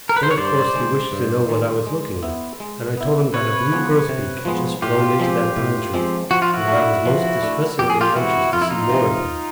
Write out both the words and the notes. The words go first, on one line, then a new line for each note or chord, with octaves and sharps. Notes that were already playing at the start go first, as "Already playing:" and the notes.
Then, of course, he wished to know what I was looking at, and I told him that a blue grosbeak had just flown into that pine-tree, and that I was most distressingly anxious to see more of him.
A#4
B4
C5
C#5
G2 C5 D5
D#3 G#3
G2
D#3 G#3
G#3
B3 E4
G#3
B3 E4
C3 B4 C#5
F3 G#3 B3
C3
F3 G#3 B3
A2 F4 G4
F3 G#3 C4
A2
F3 G#3 C4
F3 F#4
F4
E4 F#4
A3 D4
F3
A3 D4
F2 G4
G#4
F4 G4
C3 E3 G#3 E4 F#4
F2 F4
E4
D#4 F4
C3 E3 G#3